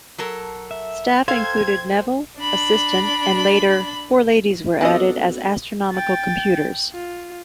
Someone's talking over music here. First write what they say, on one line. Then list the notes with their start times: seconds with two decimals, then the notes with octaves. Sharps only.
Staff included Nevill, assistant, and later 'four ladies were added as astronomical computers'.
0.18 F#3 A4 A#4
0.71 E5
1.28 A4 C5 F5 G5 G#6
2.38 D4 B5
4.81 B3 C4 D4 F#4 A4 D#5
5.92 G5 A6
6.93 F4